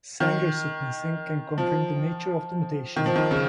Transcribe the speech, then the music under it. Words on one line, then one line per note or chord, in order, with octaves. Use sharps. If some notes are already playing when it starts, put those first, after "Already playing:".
Sanger sequencing can confirm the nature of the mutation.
D#3
F3
D#3
F3
D#3
C#3